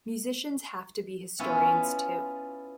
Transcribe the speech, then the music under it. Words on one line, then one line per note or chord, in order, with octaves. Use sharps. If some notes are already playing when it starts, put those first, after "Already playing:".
Musicians have to be historians, too.
B3 C#4 E4 F4